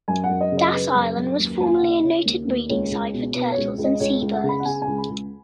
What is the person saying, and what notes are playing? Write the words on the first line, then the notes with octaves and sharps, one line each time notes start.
Das Island was formerly a noted breeding site for turtles and seabirds.
F#2 G#5
F#5
F#2
D#5
C#3
D#5
C#3 B4
F#2
F#2
D#2
D#2 G#5
F#5
C#3
D#5
C#3 C#5
D#2
D#2
C#2 C#5
C#2
B2
B2 B4
C#5
C#2
C#2
D#5
C#2 C#5
C#2
F#5
C#3
B5
F#5
C#3 G#5
G#5
C#2
B5
C#2